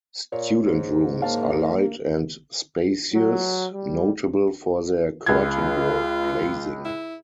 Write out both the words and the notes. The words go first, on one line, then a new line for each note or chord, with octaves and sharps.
Student rooms are light and spacious, notable for their 'curtain wall' glazing.
A#2 C#5
G#2
A#3 C#5 F5 A5
F#3
G3
C#2 F4 G#6
E4